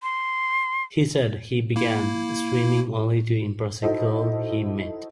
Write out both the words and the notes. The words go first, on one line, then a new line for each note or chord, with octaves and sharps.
He said he began swimming only to impress a girl he met.
C6
A#3 E4
D#4 E4 F#4 A4 C5 D#5